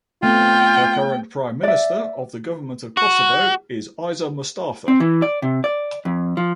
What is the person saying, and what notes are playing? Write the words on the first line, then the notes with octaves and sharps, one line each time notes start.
The current Prime Minister of the Government of Kosovo is Isa Mustafa.
A3 B3 C4 F4 G5
D5 E5
F#4
C4
E3
D5
C3
D5
F2
F3